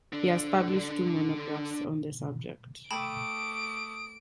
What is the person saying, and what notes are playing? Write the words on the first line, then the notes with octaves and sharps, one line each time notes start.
He has published two monographs on the subject.
D3 D4
A3 G5 A5 B5 D6 D#6 D7